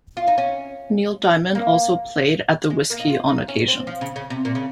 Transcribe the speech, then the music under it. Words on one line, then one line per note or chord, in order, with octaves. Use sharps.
Neil Diamond also played at the Whisky on occasion.
F4
D#4
C#4
A#3
G#3
A#3
D#4
F4
D#4
C#4
C4
F3
C#3
C#3
C3
A#2
C#3